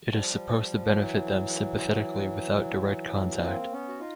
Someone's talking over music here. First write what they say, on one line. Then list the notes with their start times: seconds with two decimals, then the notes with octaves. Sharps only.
It is supposed to benefit them sympathetically without direct contact.
0.11 F3 G3
0.87 G3
0.94 E3 F#3
3.39 B3
3.44 A#3 C4
3.72 B3 C#4
3.89 F#4
4.00 D#4 F4